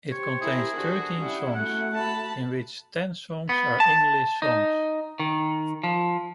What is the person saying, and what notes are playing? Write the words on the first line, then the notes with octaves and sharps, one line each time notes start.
It contains thirteen songs, in which ten songs are English songs.
G4 C5 C#5
E4 G#4 A#4
D3 F#4
G3 C#4 E4 F#5
A3 F#4 F#5
A5 B5
B3
A5
D#4
D#3
F3